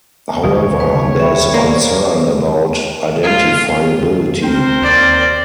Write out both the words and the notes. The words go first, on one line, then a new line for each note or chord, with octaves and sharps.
However, there is a concern about identifiability.
G1 D#2 B2 F#3 C#5
B4
E5 G5 B5
A#3 C5 D5
F4
C4 A#4 C5
D#2 D5